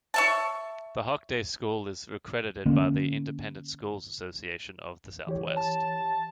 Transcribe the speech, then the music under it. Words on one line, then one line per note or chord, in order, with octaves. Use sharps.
The Hockaday School is accredited by the Independent Schools Association of the Southwest.
C#5 E5 A5
D3 A#3 C#4
E3 G4 C#5
A5